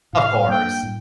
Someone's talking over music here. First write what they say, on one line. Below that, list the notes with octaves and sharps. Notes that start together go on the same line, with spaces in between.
Of course.
A2 F5
G3 A#3 D4 G5
A2